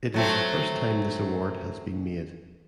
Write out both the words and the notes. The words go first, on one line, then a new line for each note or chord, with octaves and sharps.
It is the first time this award has been made.
F#3 A3 C4